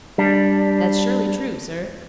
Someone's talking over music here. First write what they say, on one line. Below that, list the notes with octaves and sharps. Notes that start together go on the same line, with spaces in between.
"That's surely true, sir."
G3 D4